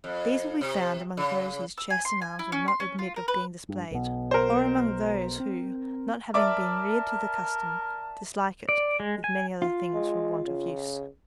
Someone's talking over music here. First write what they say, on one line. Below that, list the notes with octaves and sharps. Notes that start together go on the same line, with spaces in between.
These will be found among those whose chest and arms will not admit of being displayed, or among those who, not having been reared to the custom, dislike it with many other things from want of use.
F2
C3
C#3
E6
G#5
C6
G#5
E4
C#4
C6
C#4
F4
A#4
B4
G2
B1 B2
A#4 C5
C4
A#4 D5 E5 A5 D6
D5
G#3
G#5
F4
G#3
C#3